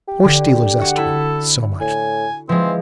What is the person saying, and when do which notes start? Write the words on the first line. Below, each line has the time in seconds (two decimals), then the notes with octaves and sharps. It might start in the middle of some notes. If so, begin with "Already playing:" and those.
Horse-dealer's estimate, so much.
0.08 G4
0.24 D3
0.81 F#4
0.97 E4 A4 B5
1.81 A2 G#5
2.49 E3 F3 G#3 C4